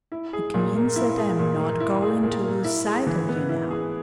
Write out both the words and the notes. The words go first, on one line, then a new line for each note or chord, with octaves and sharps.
"It means that I am not going to lose sight of you now."
E4
G#4
A#2
A#3
E4
G#4
A#2
A#3
E4
G#4
A#2
A#3
E4
G#4
E3
B3
E4
G#4